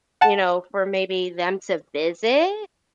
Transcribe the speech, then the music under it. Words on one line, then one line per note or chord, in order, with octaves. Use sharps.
you know, for maybe them to visit.
F#5 A5